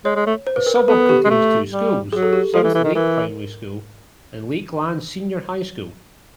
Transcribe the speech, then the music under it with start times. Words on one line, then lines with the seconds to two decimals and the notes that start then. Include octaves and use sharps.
The suburb contains two schools: South Lake Primary School and Lakeland Senior High School.
0.05 G#3 C#5
0.16 G#3
0.27 A3
0.47 C5
0.56 B4
0.66 A#4
0.76 B4
0.88 B3 A4
1.09 G4
1.24 G#3
1.30 A3
1.71 G3
2.12 F#3 G#4
2.23 A4
2.33 G4
2.54 F3 A4
2.64 E3
2.75 E3
2.84 D#3
2.95 E3 A#4